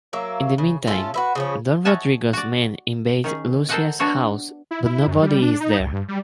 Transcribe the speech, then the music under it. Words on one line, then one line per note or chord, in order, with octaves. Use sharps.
In the meantime, Don Rodrigo's men invade Lucia's house, but nobody is there.
F#3 A#3 E5
C#3
A3 C#4 F4 A4
F#4 B4 E5
C#3 F3 C#4
C#5 D#5 E5 F#5 G#5 A5
F#4 D5
D#3 C#4 G#4
A4 A#4 C5 D#5 F#5 G#5
B3 D4 F#4 C#5
E4
E4
F#2
G3
D4
D#4
C#2
G2
G3